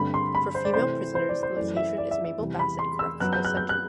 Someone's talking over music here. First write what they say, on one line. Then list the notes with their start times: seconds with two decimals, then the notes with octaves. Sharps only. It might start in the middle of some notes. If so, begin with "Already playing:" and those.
For female prisoners, the location is Mabel Bassett Correctional Center.
Already playing: G2 D3 A3 C4 B5
0.14 C6
0.35 B5
0.55 C5
0.65 D5
0.73 C3 E3 A3 C4 C5
1.15 C5
1.29 D5
1.43 C5
1.56 F#2 E3 A3 D5
1.77 E5
1.98 D5
2.11 E5
2.25 E5
2.39 E2 C3 G3
2.59 B5
2.79 C6
2.99 E6
3.20 F#2 F#3 B3 F#6
3.33 G6
3.45 F#6
3.57 G6
3.69 F#6